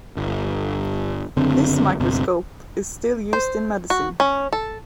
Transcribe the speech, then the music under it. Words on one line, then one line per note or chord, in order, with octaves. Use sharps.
This microscope is still used in medicine.
G1
F#1 D3 C4
G1 C3
C5
F#4
C#4
A4